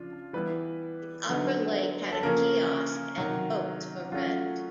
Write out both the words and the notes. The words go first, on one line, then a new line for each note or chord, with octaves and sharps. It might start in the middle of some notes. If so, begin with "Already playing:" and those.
Its upper lake had a kiosk and boats for rent.
Already playing: C#3 F3 D4 F4
E3 G3 B3 E4 B4
D3 F#3 B3 D#4
A4
C#3 F3 A#3 C#4 A#4
C3 D#3 F#3
F#3 A3 C#4 F4